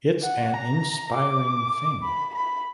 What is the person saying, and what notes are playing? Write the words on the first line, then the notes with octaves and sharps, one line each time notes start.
It’s an inspiring thing!
F#5
A#5
D6
B5
B5